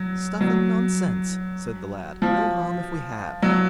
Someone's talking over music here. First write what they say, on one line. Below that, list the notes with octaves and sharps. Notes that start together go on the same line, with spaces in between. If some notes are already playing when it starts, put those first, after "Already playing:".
'Stuff and nonsense!' said the lad; 'no harm if we have.'
Already playing: F#3
F#3
F3
F#3